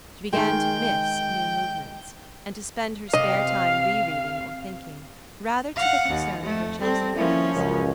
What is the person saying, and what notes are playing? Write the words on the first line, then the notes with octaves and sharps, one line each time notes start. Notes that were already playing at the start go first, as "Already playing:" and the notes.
She began to "miss" new movements, and to spend her spare time re-reading or thinking, rather to the concern of her Chelsea friends.
D#3 G#3 G5
C3 D#5 F5
F5 F#5
D#2
F2 A3
G3 C4 G4 A4
F3 A#3 C#4 E4
C#2 F#2